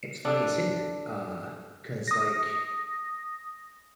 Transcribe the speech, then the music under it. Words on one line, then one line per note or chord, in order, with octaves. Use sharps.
It's funny you say that, uh, 'cause, like,
D4 A4
D#6 A#6